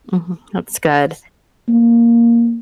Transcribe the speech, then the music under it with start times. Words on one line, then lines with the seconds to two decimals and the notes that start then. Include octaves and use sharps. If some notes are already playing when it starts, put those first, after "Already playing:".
Mhm. That's good.
1.69 A#3